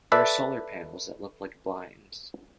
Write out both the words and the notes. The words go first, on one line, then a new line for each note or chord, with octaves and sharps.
There are solar panels that look like blinds.
A4 B4 D5 E5 A5